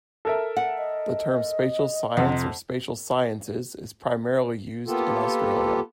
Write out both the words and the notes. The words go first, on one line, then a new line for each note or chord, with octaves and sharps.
The term spatial science or spatial sciences is primarily used in Australia.
A4 A#4 E5
F#5
D#5
F2 C3 F#5
A#3 B3 F4 G4 A4